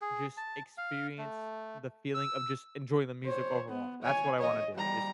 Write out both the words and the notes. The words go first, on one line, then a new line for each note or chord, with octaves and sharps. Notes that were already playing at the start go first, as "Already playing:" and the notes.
just experience the feeling of just enjoy the music overall, that's what I wanna do, just
G#4
A5
F5
A3
E6
C5 C#5
B3
C#5 G#5
C#5 D#5
G3 A#5